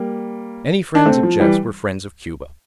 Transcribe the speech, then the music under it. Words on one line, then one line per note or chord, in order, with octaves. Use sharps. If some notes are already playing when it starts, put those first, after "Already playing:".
Any friends of Jeff's were friends of Cuba.
Already playing: G3 A#3
D4
A3 C4
F3
E3 G3